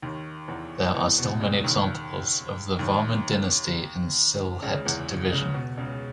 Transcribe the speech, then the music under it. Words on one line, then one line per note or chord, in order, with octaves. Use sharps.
There are still many examples of the Varman dynasty in Sylhet division.
D#2 D#3
E2 E3
E2 E3
B2
C#2 C#3
D#2 D#3
D#2 D#3
C#2 C#3
E2 E3
C#2 C#3
B2
C#2 C#3